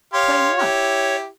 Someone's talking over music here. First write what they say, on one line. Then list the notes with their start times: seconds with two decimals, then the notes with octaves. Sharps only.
Claim what?
0.13 G4 C#5 F5 C6
0.58 E4 G4